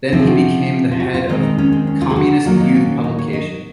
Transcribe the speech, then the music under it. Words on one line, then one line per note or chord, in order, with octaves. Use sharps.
Then he became the head of Communist Youth publication.
C3 F3 C4
G#4
F#4
F4
F#4
F4
D#3 G#3 C4 D#4
D#4
C#4
C4
C#4
F4
G#4
F#4
D#3 F#3 A#3 F4
D#4
C#4
D#4
C#5
D#5